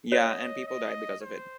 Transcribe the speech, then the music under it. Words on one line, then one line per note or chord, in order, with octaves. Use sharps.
Ya and people died because of it.
C#5 D#5
D#5
C5